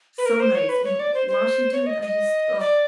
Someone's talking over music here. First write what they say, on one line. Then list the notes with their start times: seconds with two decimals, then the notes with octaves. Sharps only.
So nice. In W Washington, I just ugh,
0.18 B4
0.26 A#4
0.40 C5
0.55 C#5
0.69 B4
0.85 C#5
1.00 D5
1.14 C5
1.28 C5
1.72 C#5
1.86 D#5
2.02 D#5
2.60 D5